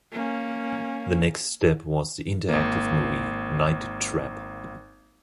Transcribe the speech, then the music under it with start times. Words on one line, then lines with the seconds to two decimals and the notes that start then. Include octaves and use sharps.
The next step was the interactive movie "Night Trap".
0.12 A#3 C#4
2.49 G#1 A#3